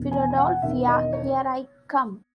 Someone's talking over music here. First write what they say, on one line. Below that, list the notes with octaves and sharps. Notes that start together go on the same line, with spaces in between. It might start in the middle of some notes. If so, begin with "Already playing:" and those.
Philadelphia, Here I Come!
Already playing: E1 E2 D#3
G#5
G#5
F#5
E1 E2 D#3 E5
D#5
C#5